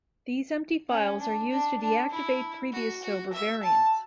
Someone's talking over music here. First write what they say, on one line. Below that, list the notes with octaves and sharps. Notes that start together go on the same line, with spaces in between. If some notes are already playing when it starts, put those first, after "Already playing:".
These empty files are used to deactivate previous Sober variants.
C#4
D4
D4
D4
E4
F#4
F#4
E5
A5